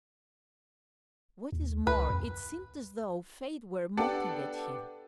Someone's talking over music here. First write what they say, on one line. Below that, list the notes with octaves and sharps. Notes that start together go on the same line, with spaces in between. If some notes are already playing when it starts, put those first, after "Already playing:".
What is more, it seemed as though fate were mocking at him.
D#2
C#2 B4
F2
B3 D4 G4 A4 D5 F#5